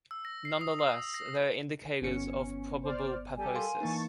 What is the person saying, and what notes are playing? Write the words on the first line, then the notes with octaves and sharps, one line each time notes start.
Nonetheless, they are indicators of probable pathosis.
E6
A#6
C7
D#6
C7
E6
A#6
G1 B3 C#4 C#7
C5 D5 F6
G3 G4 A4 G#5
A#4 F5 C6
E3 A#3 D#4 A5 C#6 A6